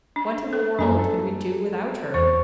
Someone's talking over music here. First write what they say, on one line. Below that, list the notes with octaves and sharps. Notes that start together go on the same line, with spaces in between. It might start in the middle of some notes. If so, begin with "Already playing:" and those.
What in the world could we do without her?
D4
A4
F#2 A#3 D4 G#5 A#5
A4
E2 C5 C#6